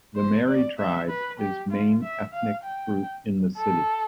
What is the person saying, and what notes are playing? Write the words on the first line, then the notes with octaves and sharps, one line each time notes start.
The Marri tribe is main ethnic group in the city.
C5
D5
E5
B4
G4
F4
E5
F5
G5
A4